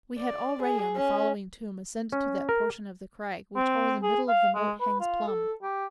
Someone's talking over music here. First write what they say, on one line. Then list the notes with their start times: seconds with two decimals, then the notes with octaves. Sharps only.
We had already on the following tomb Ascended to that portion of the crag Which o'er the middle of the moat hangs plumb.
0.18 D5
0.63 G#4
0.96 C#4
2.12 C#4
2.49 A#4
3.56 C4
4.03 G#4
4.29 F5
4.55 G#3
4.80 B4
5.00 F4
5.27 A4
5.62 G4